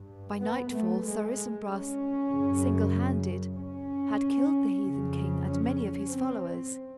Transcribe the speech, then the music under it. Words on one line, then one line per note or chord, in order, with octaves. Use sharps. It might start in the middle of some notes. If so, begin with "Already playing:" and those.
By nightfall Sir Isumbras, single-handed, had killed the heathen king and many of his followers.
Already playing: G2
B3
A3
G#3
C#4
F#2 C#3
C#4
F2 C#3
C#4
C4